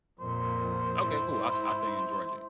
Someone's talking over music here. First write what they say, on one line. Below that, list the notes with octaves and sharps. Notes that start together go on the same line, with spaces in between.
okay, cool I I stay in Georgia.
F2 A#2 C5
G#2 E4